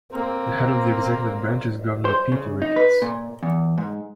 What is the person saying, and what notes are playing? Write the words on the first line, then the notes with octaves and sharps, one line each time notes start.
The head of the executive branch is Governor Pete Ricketts.
A#3 C4
C5
C#3
D#4
B4
A#2
E2
G#2